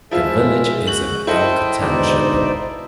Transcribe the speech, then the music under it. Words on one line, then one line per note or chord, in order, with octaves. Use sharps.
The village is in Elk Township.
F3 G#3 E4 F4 G#4 E5
F#4 G6 F#7
E4 A4 C5 D#5 G5
G#2 B2 D3 D#4 C5 D5